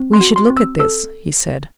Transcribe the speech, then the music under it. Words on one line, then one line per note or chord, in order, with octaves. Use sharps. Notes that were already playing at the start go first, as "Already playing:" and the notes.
"We should look at this!" he said.
Already playing: C4
C6
F#4
C6
C4
E6
A4 E6